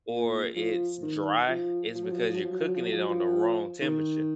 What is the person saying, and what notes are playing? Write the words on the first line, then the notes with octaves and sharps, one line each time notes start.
or it's dry, it's because you're cooking it on the wrong temperature.
A#2
F3
D#3
F3
F3
F#3
F3
F#3
F3
F#3
F3
F#3
F3
F#3
F3
F#3
F3
F#3
F3
D#3